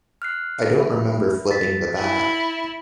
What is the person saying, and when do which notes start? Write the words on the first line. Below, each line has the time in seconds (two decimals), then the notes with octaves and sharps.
I don't remember flipping the bat.
0.22 F6 F#6 C7
0.80 E5 B5
1.51 A6 B6
1.98 E4